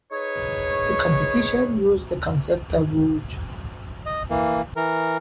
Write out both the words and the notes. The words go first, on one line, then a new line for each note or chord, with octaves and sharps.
The competition used the concept of 'rouges'.
D#4 G#4 B4 C#5
D#5
E3 A#3
E3 A#4